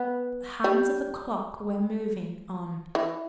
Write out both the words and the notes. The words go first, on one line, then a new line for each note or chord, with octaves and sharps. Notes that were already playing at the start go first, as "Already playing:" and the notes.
The hands of the clock were moving on.
Already playing: B3
G3
E3